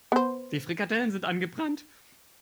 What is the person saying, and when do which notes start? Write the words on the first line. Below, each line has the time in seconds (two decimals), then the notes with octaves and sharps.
Die Frikadellen sind angebrannt.
0.12 B3 C5